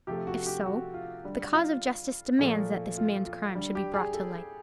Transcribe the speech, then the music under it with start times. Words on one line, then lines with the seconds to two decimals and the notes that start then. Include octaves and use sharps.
If so, the cause of justice demands that this man's crime should be brought to light.
0.07 C3 F3 A3 G4
0.27 F#4
0.46 G4
0.66 F#4
0.94 F4
1.24 D3 G3
1.53 F4
2.39 A#2 F3 A3
2.98 F4
3.26 F4
3.55 D3 G3
3.75 G4
3.94 G#4
4.14 A4